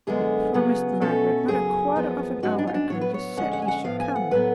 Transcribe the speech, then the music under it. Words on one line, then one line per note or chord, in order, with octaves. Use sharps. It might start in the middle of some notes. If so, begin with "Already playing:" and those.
'You promised, Margaret, not a quarter of an hour ago;--you said he should come.'
F#2 D3 G#3 B3 G#4
C#3 F#3 B3
B2 A3 C#4 A4
F#2 C#3 F#3 C#4 G#4
F#2 F3 B3
G#2 F#3 C#4 F#4
D4
F4
D4
A2 F#3 B3 C#5
B4
C#5
F2 D3 G#3 C#4 F#5
F#5
G#5
F#5
A2 F3 B3 F5
G#5
F#5
A2 F#3 B3 B4